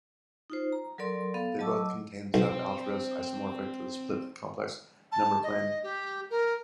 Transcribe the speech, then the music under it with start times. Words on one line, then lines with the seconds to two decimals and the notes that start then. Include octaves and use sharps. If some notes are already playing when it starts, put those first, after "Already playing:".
They both contain subalgebras isomorphic to the split-complex number plane.
0.50 D#4 F4 C5
0.72 A#5
0.98 F#3 A4 A#4 D5 C6
1.34 B3 A4 F5
1.59 F#3 D#5 A5 D6 E6
2.34 B1 C4
5.11 A5
5.43 D#5
5.83 G4
6.30 A#4